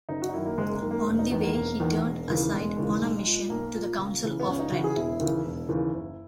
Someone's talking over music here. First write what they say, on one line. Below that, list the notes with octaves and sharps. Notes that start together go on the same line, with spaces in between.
On the way he turned aside on a mission to the Council of Trent.
F#1 D#4
F#4
D#4
F#2 D#3 E4
A#3
F#1 G#3
A#3
F#2 D#3
A#3
E1
D#4
E2 D#3 B3
A#3
E1 A#3
E2 D#3
E1
D#2 C#3 E3
E1 G#3
D#2 C#3 E3
B1
A#2
B1 A#3
A#2
C#2
C#3 E3
B3
C#2 C#4
D#4
C#3 E3 F#4
G#4
E1 E4
D#2 C#3 E3
E1
D#2 C#3 E3
F#1